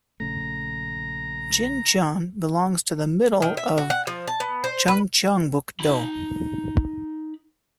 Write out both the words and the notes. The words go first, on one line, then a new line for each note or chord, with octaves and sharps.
Jincheon belongs to the middle of Chungcheongbuk-do.
A#1 C#3 A3 A#5
D#3
E5
F#4
F#5
F3
A5
B3
C5
B4
D#4 B5